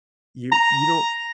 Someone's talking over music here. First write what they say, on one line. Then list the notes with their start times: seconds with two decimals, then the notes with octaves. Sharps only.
you you don't
0.52 A#5